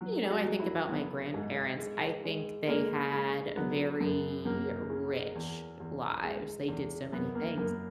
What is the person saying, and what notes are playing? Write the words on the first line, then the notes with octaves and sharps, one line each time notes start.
You know, I think about my grandparents. I think they had very rich lives. They did so many things
F#3
G#4
F#4
F#3
E4
F#3 B3
G#2
G#3
G#3
G#3 A#3
G#3
F#3 B3
F#2
F#2 A#3
C#3
E2
E2
G#3
E2
F#2 B3
A#3
F#2 A#3